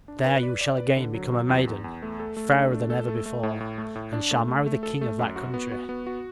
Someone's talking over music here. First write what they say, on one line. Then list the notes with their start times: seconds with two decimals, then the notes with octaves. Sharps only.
There you shall again become a maiden, fairer than ever before, and shall marry the king of that country.
0.08 D4
0.26 B4
0.43 D5
0.61 D5
0.78 B4
0.96 D3
1.14 F#3
1.32 F#3
1.49 E2
1.67 E2
1.84 E2
2.02 A3
2.20 A4
2.37 A3
2.54 D4
2.72 A3
2.90 A4
3.08 A3
3.26 A3
3.43 A2
3.60 A2
3.78 A3
3.95 A2
4.13 D4
4.31 A3
4.48 A3
4.66 A3
4.83 A4
5.01 A3
5.19 F#2
5.36 F#4
5.54 B3
5.72 F#4
5.89 B3
6.07 F#4